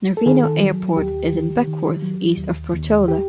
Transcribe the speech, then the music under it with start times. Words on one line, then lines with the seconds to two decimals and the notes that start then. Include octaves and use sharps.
Nervino Airport is in Beckwourth, east of Portola.
0.17 A4
0.26 D#3 G#4
0.44 A4
0.62 F#3
0.97 D#2 G4
1.32 D#3
1.67 D#3
2.02 F#3
2.37 D#2
2.73 D#2
3.08 G4